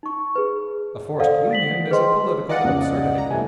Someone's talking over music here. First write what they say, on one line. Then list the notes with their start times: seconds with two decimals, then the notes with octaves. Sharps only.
A forced union is a political absurdity.
0.03 D#4 C#6
0.36 G#4 B4
1.20 A4 C5 D5 F5 F#5
1.51 A6 B6 F#7
1.91 G#4 B4 C5 D#5 G5 C6
2.49 D5 D#5 F5 F#5
2.64 F1 C#2 C#3
3.18 A#5
3.30 G1 C3 E3 A3 G#5